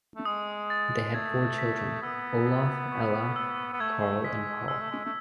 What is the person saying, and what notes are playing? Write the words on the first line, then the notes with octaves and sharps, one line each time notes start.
They had four children: Olaf, Ella, Karl and Paul.
A3
G#3 D#6
A6
A3 G#6
B6
B3 E6
B6
C#6
E6
B3
A3 G#6
G#3 B6
G#3 E6
A3
G#3
A3